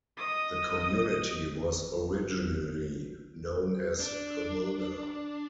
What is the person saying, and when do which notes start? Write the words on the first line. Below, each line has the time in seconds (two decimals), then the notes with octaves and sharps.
The community was originally known as Pomona.
0.17 D#5 D#6
3.99 D4